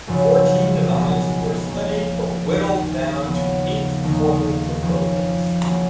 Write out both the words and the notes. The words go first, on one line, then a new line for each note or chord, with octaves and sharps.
Fourteen designs were studied, but whittled down to eight formal proposals.
G#1 F#2 C#3 F3
C#2 B2 G#3 B3
F2 F3 A#3 C#4
F1 D#2 D#3
D#2 C#3 F3 B3
D#2 D#3 A#3 D#4
F2 F3 A#3 C#4
F#1 F#2 D#3 A#3 C#4